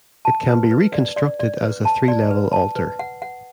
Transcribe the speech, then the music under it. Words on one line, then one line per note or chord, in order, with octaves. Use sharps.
It can be reconstructed as a three-level altar.
A5
B4
B4
D5
D5
D5
B4
A5
D5
B4
A5
B4
F#5
F#5